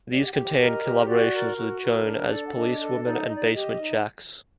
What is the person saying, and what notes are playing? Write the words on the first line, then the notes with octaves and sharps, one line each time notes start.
These contained collaborations with Joan As Police Woman and Basement Jaxx.
G4 D5
D#5
F#5
G4 G5
G5
A#4 D#5
G4
F#4 D5
A#4
F#4
A#4
D4 D5
D#5
D5
A4
F#5
D4 D#5
A4
D#4 D5
F#5
D#5
D#4
D5
G4 D#5
D#4